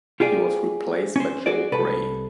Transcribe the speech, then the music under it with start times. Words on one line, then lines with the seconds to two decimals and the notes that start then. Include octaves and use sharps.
He was replaced by Joel Grey.
0.20 F4 G4 G#4 D5
1.16 C#4 C5
1.46 F#4 G#4 D5
1.72 C2 A4 B4